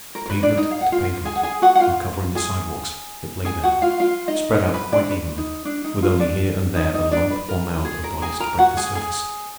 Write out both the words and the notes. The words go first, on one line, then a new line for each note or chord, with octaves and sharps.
From pavement to pavement, and covering the sidewalks, it lay there, spread out quite evenly, with only here and there a lump or mound of bodies to break the surface.
A#4
A#4
B4
D4 D5
D#4 D#5
F5
F#5
F4 F5
G#4 G#5
F#5
G#4 G#5
F#4 F#5
F#5
F4 F5
G#4 G#5
G#4 G#5
F#4 F#5
F4 F5
F4 F5
D#4 D#5
D#4 D#5
B4
D4 D5
B4
D#4
D4
D#4
F4
D4 D5
D#4 D#5
D#4 D#5
D4 D5
B4
A#4
G#4
A#4
G#4 G#5
A#4 A#5
F#4 F#5
G#4 G#5
G#4 G#5